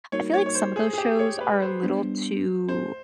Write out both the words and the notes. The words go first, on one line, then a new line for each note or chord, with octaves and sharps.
I feel like some of those shows are a little too
G3 A#3 D#4 F#4 A#4 C#5
C#5
C#5
C5
G#4
G#4
G4
C#5
B4
C5
G3 B3 D4
C5